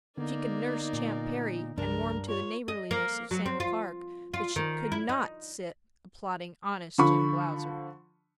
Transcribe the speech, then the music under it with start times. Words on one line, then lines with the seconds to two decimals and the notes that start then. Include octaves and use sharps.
She could nurse Champ Perry, and warm to the neighborliness of Sam Clark, but she could not sit applauding Honest Jim Blausser.
0.17 D3 A#3 B3 D#4 D5
0.93 A#2
1.78 C2 G2 C#3 F3 D4 A#4
2.29 F4 C#5
2.68 D#5
2.91 A#3
3.31 F#3
3.46 C4
3.60 F4
4.34 F4
4.56 D#3
4.92 E4
5.09 D#4
6.98 D3 F3 B5 C#6